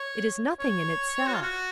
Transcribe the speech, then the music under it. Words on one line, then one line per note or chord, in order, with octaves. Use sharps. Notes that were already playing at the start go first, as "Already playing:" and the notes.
It is nothing in itself.
Already playing: C#5
C#5
F#4
F4
F#4